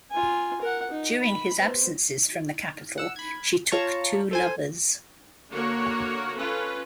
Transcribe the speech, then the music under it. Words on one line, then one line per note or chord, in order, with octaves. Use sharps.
During his absences from the capital she took two lovers.
F4 G#5
A#4 F#5
D#4
B5
B3 C5
F#5 E6
B5 G#6
F4 C#5 A5 A#5 C#6
A4 C5 G#5
D3 A#3 F#4 A#4 C#5
C#4 F4 A4 B4